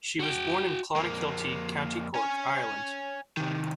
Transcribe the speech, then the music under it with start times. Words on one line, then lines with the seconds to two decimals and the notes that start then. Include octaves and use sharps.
She was born in Clonakilty, County Cork, Ireland.
0.20 F#4 G5
0.96 F2 A#3
2.15 C#5 G#5
3.37 C3 D#3